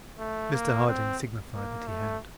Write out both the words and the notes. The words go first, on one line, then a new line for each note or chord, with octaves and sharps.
Mr Harding signified that he had.
A3
A#3
C4
A#3
A3